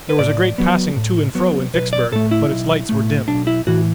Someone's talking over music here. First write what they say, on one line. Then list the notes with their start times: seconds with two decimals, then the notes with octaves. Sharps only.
There was a great passing to and fro in Vicksburg, but its lights were dim.
0.09 B4
0.19 A2 D5
0.58 F#3 B3
0.96 A2
1.35 F#3 B3
1.74 B1 B4
1.93 D5
2.12 A2 A3 A4
2.31 E4
2.50 B1
2.89 A2 A3
3.28 B1 D4
3.47 E4
3.67 A2 E3 F#4